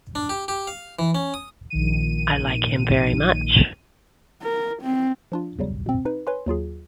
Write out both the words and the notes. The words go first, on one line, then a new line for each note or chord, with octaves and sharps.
I like him very much.
D4
G4
G4
F5
E3
C#4
D#6
A#1 D#3 D#7
A#4
C4
F3 D4 F4
E2 C#3 F#3 G3
B2 C4
D#4 B4
B4 C#5 G#5 C6
D#2 F#3 F4 G#4